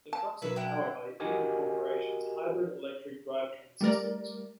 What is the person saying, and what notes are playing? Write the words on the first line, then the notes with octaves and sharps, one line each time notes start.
The trucks are powered by Eaton Corporation's hybrid electric drivetrain systems.
A5
B1 F#3 B4 E5
E4 F#5 G5
F#4 G4 A#4 D#5 G#5
G3 A3 A#4 D5